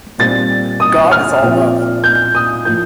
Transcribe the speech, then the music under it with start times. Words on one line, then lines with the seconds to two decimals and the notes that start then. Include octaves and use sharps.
God is all love.
0.19 A#2 G3 C4 A6
0.80 D#6
1.11 F6
1.42 A#2 F3 C4
2.04 G6
2.35 D#6
2.65 A2 F3 A#3 G6